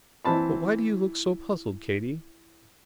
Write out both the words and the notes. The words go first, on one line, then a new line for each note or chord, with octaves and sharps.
But why do you look so puzzled, Katy?
E3 C4 A5 B5